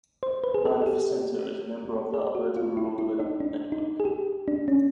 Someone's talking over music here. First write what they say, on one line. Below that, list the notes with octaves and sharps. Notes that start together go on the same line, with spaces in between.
Banff Centre is a member of the Alberta Rural Development Network.
C5
B4
G#4
A4
G#4
G4
G#4
F#4
F4
E4
E4
D#4
D4
D#4
G#4
G4
D4
C#4